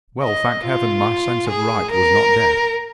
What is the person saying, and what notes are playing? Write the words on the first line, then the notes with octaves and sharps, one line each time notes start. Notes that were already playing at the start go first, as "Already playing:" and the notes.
Well, thank Heaven! my sense of right was not dead.
D#5
F4
G#4
A#4